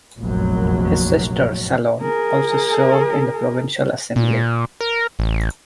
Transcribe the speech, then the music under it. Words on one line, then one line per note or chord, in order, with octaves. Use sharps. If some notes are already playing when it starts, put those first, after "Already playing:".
His sister Salome also served in the provincial assembly.
F1 A#1 F#2 F#3
G#4 A#4
A#2
A#4
A1